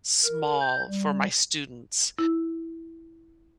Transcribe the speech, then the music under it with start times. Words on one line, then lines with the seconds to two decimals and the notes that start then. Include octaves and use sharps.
small for my students,
0.24 A#4
0.60 G6
0.89 G3
2.19 E4